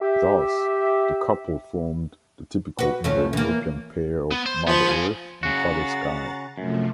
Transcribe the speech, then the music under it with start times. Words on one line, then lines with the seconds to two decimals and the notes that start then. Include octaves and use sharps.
Thus the couple formed the typical Indo-European pair of mother-earth and father-sky.
0.01 G4 E5
2.79 F#4 B4
3.04 F2 A3 C#4
3.33 E3 A#3
4.31 B3
4.46 C5
4.67 F3 B3
4.89 F5 G#5
5.43 C#3 F#4 F#5 A#5 A6
6.58 F#2 C3 F3 A3